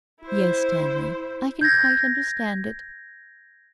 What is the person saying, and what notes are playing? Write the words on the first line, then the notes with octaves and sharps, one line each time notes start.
'Yes, Stanley, I can quite understand it.
E4 C5
G6 G#6 A#6